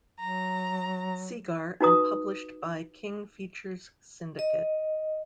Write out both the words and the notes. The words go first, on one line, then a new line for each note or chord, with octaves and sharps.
Segar and published by King Features Syndicate.
F#3 A#5
D#4 F#4 B4 A#5 D#6
D#5